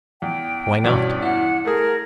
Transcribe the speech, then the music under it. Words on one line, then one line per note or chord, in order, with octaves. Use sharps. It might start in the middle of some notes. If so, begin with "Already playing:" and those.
Why not?
E2 G5
E2 G2 B2 C#4 F#4
E4 F#5
A3 G#4 A#4